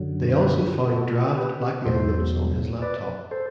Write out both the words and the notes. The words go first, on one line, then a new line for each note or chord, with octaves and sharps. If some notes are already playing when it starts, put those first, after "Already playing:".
They also found draft blackmail notes on his laptop.
Already playing: F#2 D3 F#3
C5
G4 B4
F#4 A4
G4 B4
E2 B2 F#3 A4 C5
B4 D5
A4 C5